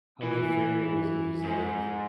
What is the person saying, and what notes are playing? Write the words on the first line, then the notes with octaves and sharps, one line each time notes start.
how they framed it was it was like,
E3
G#2